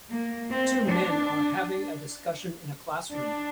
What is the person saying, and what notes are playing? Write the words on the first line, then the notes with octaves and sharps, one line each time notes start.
Two men are having a discussion in a classroom.
A#3
C4
D4
D4